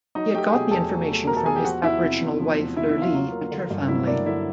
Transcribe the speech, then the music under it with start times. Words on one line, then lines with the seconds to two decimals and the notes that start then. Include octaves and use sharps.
He had got the information from his Aboriginal wife Lurlie and her family.
0.15 F#3 D#4 D#5
0.34 A3 G4 G5
0.53 B2 G#4 G#5
0.71 E2 A4 A5
0.90 F#3
1.09 A3
1.27 B2 A#4 A#5
1.37 A4 A5
1.46 E2 G#4 G#5
1.55 G4 G5
1.65 F3 F#4 F#5
1.83 E2 E4 E5
2.03 C3
2.21 E2
2.39 F3
2.59 E2
2.77 C3 E4 E5
2.89 E4 E5
2.96 E2
3.02 F4 F5
3.14 F#3
3.32 A#3
3.51 D3
3.70 G2
3.88 F#3 E4 E5
4.07 A#3 D4 D5
4.26 D3 E4 E5